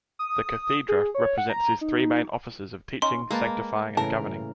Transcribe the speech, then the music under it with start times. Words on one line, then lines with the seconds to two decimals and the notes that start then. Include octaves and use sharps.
The Cathedra represents his three main offices of teaching, sanctifying and governing.
0.19 D#6
0.89 G#4
1.15 C#5
1.38 F#5
1.50 A#5
1.81 D#4
3.02 C#4 D#4 C6
3.31 G#3 A#3 B4 A5
3.97 A2 C#3 E3 A#4 A5